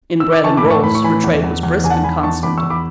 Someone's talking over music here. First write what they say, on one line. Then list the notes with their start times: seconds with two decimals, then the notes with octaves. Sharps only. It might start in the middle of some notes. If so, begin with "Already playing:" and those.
In bread and rolls her trade was brisk and constant.
0.20 E6
0.32 D6
0.44 E3 A5 C#6
0.57 B5 D6
0.64 A2
0.70 A5 C#6
0.84 A2 B5
0.95 C#6
1.04 E3 G#5 B5
1.24 E2
1.44 E2
1.63 E2
1.84 E2 G#5
1.90 F#5 A5
2.03 E2 G#5 B5
2.23 E2 A5 C#6
2.43 E2 B5 D6
2.58 C#6 E6
2.63 E2
2.70 B5 D6